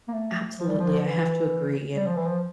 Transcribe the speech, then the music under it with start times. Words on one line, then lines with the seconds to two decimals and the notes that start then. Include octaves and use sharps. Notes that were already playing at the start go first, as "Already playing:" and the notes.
Absolutely, I have to agree, and
0.08 A#3
0.13 A3
0.59 F3
0.69 G3
0.80 F3
1.04 E3
1.96 G3
2.06 F3
2.16 E3
2.26 F3